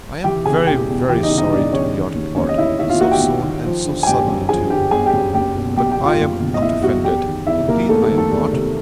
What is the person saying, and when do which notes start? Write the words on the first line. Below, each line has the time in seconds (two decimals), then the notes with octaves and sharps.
I am very, very sorry we are to part--so soon, and so suddenly too; but I am not offended, indeed I am not.
0.24 E3 G4 G5
0.45 C#3 G#4 G#5
0.67 E1 G4 G5
0.88 E2
1.09 E3 G4 G5
1.23 D#4 D#5
1.30 C#3
1.38 D#4 D#5
1.52 E1 D4 D5
1.73 E2 C#4 C#5
1.95 D#3
2.15 D#2
2.36 D#2 C#4 C#5
2.49 D#5
2.58 D#3 E4 E5
2.79 D#3 E4 E5
2.90 F4 F5
3.01 D#2 F#4 F#5
3.11 G4 G5
3.22 D#2
3.43 D#3
3.65 F3
3.86 D3
4.03 G#5
4.06 G1 G4 G5
4.28 F#2
4.49 F3 G#4 G#5
4.70 D3 G4 G5
4.91 G1 G#4 G#5
5.06 G4 G5
5.13 F#2
5.34 F#1 G4 G5
5.56 B2
5.76 F#1 G4 G5
5.90 G4 G5
5.98 E2
6.05 F4 F5
6.20 F#1
6.41 B2
6.54 D#5
6.62 F#1 E4 E5
6.83 E2 F#4 F#5
7.04 E2 G4 G5
7.26 D#3
7.47 E2 E4 E5
7.68 C3 A#3 A#4
7.89 E2 A3 A4
8.04 A3 A4
8.10 D#3
8.17 A3 A4
8.32 E2
8.53 C3